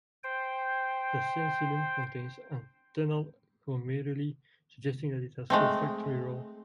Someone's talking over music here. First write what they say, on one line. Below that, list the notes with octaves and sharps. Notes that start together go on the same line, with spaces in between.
The sensillum contains antennal glomeruli, suggesting that it has an olfactory role.
C5 G5
G#3 A3 C4